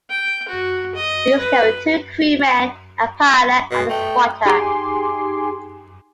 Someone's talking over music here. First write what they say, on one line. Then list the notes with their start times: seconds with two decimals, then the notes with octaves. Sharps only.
These carried two crewmen: a pilot and a spotter.
0.10 G5
0.48 F#4
0.95 D#5
1.39 B4
3.71 B2
3.89 A3 G5
4.45 D#4 G4 G#4 G#5 C6 D6